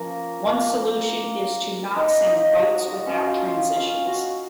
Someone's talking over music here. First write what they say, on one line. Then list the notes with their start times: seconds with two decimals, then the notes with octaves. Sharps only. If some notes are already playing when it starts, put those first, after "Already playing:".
One solution is to not send bytes without transitions.
Already playing: F3 A#3 C#4 A#4
0.47 A#3 A#4
1.96 D#4 D#5
2.26 A#3 D#4 F4 D#5
2.56 F#4
2.86 F#4
3.06 C#4 C#5
3.26 F4 F5
3.46 F4 F5
3.76 F4 F5
4.06 F#4 F#5